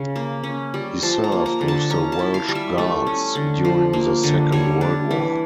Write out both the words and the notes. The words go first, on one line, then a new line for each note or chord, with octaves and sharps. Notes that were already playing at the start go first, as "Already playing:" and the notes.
He served with the Welsh Guards during the Second World War.
Already playing: C#3
A#3
C#4
G3
F3 A5
A#5
A#3
A#5
D3
A5
C#4 A#5
A5
E4
F5
G3
E5
A3
C#4
D3
F3
A#3
D3
G3 C#5
D4
E3